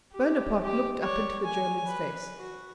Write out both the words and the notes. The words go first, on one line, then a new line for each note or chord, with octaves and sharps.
Bonaparte looked up into the German's face.
G4
G4
C#5 D5
G#5
B4
F#4